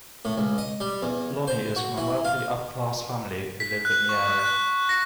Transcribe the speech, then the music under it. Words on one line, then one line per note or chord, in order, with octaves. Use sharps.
Lonnie is from a wealthy, upper-class family who live in the area.
A2
C#2
D#5
G3
E2
C5
F#4
E3
F4
B6
F#6
C#6
F#6
A#6